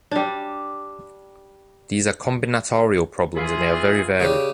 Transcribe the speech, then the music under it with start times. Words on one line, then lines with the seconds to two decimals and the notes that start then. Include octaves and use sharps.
These are combinatorial problems and they are very varied.
0.11 G3 D4
3.36 E3 F4 G#4
4.20 C#3 G3